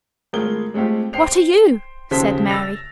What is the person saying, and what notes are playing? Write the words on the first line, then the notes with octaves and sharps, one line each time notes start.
"What are you?" said Mary.
G#1 A3 F4 G#4 A#4 G7
G#3 A3 C4 F4 G4
C5 G5 C7 F7
D#2 C#3 F3 A4 C5 B6
E6 A6 A#6 F7